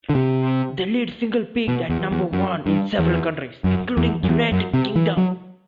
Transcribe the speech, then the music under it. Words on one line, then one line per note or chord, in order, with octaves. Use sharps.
The lead single peaked at number one in several countries, including the United Kingdom.
D3
C3
B2
E2
E2
F#2
G2
E2
F#2
E2
F#2
E2
F#2
C3
E3
F#3